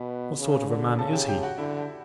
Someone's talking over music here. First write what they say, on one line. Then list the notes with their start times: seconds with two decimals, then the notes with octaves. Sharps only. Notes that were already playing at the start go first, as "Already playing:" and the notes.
"What sort of a man is he?"
Already playing: B2 B4
0.39 C#3
0.68 D3
0.98 C#3 A4 A5
1.13 G4 G5
1.28 G4 G5
1.43 F#4 F#5
1.58 D3 E4 E5